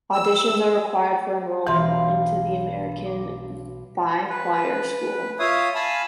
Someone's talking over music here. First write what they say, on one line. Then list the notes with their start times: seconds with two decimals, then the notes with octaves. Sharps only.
Auditions are required for enrollment into The American Boychoir School.
0.12 E6
1.67 B1 G2 E3 F5 A#5 C6
3.06 D6
4.30 B4
5.39 F4 C#5 E5 F5 D#6
5.75 F5 G#5 A5 B5